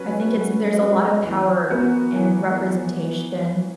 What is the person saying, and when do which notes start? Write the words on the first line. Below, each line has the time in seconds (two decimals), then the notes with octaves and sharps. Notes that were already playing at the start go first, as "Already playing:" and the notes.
I think it's there's a lot of power and representation,
Already playing: F#3 C#4 F#4 B4
0.33 F#3
0.79 C#4 F#4 B4
1.25 E3
1.70 B3 F#4 A#4
2.16 E3